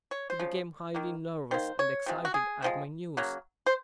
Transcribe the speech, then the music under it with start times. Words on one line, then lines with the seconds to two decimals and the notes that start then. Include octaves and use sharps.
He became highly nervous and excited at my news.
0.11 C#5
0.30 C5
0.39 C#3 F3
0.95 D#3 A#3
1.51 D#3 A#3 C5
1.79 C#5
2.06 C3 F3 G#3
2.25 F#4
2.34 G#4
2.62 C3 F3 G#3
3.17 C#3 F#3 A#3
3.66 C5